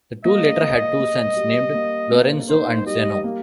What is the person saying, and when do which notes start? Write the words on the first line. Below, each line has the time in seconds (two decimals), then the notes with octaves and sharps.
The two later had two sons named Lorenzo and Zeno.
0.24 A#3 D#5
0.62 A#3
0.99 A#3
1.36 G3
1.74 A#3
2.11 A#3
2.49 D#4 C5
2.86 G3 D#5
3.24 A#3